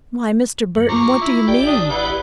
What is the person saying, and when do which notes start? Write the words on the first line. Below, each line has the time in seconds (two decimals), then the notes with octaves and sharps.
Why, Mr. Burton, what do you mean?
0.76 G2 F#3
0.89 F4 A#5 C#6 D6
1.22 E4
1.48 G#1 G4 D5 G5
1.67 D4 D#6
1.90 E4 B4 F#5